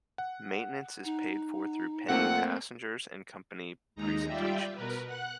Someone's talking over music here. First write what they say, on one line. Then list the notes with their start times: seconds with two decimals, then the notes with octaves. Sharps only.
Maintenance is paid for through paying passengers and company presentations.
0.18 F#5
1.05 D#4
2.09 F2 A3 A#3 C4 F#5
3.96 D#2 G#3 D#4 A#5
4.27 G3 F4 D5 E5 G5
4.74 B2 A#4 B4
5.06 F#5 F#6